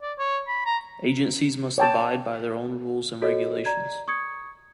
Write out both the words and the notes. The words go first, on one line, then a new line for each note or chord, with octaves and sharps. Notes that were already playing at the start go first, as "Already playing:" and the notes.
Agencies must abide by their own rules and regulations.
D5
C#5
B5
A#5
C#5 G5 A5
F#4 A4 C#5 D#5
D5 A#5 G#6
C#6 D#6 G#6 C#7